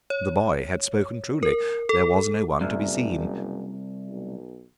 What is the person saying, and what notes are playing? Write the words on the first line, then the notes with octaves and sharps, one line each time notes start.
The boy had spoken truly; there was no one to be seen.
C#5
A#4
A4
F#1 C2
B1